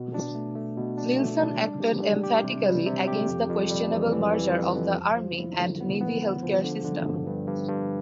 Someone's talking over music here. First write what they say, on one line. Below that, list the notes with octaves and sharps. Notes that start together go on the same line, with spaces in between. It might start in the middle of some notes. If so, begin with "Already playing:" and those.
Nilson acted emphatically against the questionable merger of the army and navy healthcare system.
Already playing: B2
D4
A3
A3
B2
D4
A3
D4
G3
G4
G3
G4
C3
G3
C3
G4
F2
F2
G3
E3
E3
E3
F2
F2
F3
F3
E4
D3
B3
B3
B3
F3
D3
D3
G2
G2
G2
G2